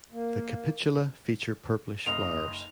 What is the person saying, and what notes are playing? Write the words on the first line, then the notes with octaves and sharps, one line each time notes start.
The capitula feature purplish flowers.
A#3
F#1 D#4 D#5 F5 F7